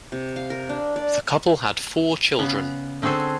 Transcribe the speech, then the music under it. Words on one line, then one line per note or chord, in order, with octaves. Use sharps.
The couple had four children.
C3
F5
A#4
D4
D5
C#3 B3
D3 C4 F#4 G#4 A4 C5